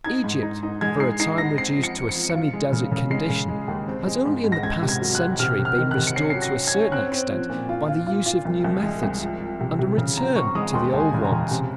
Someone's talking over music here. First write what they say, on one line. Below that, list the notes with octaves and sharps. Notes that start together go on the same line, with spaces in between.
Egypt, for a time reduced to a semi-desert condition, has only in the past century been restored to a certain extent by the use of new methods and a return to the old ones.
D#4 G#6
G#2
D#4
D#4
G#3 G#6
D#4 C7
D#4 C7
D#4 A#6
C4 C7
F3
C#7
C4
C#7
F3
C#7
F4
G#3
C#3
C#3
G#3 C7
C#3
G#3
D#2
C4
G#3
G#2
G#2
A#6
C#2 G#6
C3
G#6
F#3
F#6
F#3
C3 F6
C3
F6
D#3
F#6
C3
C#7
C#4 C7
F#3 C7
A#6
C#4
G#6
C#4
C4 F#6
C4
F3
A#2
F4
F4
F4
F4
C2
C2
G#3
C2
F3
F3
C3
C3
C#3
F3 A#5
C4 C#6
G#3 D#6
D#2 C6
D#2
G#5
C#3
A#5
C#3
C3